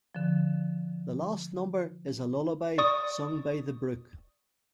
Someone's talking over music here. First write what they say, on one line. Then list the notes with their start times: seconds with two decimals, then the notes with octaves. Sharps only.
The last number is a lullaby sung by the brook.
0.15 D3 F3
2.78 D5 C#6 D#6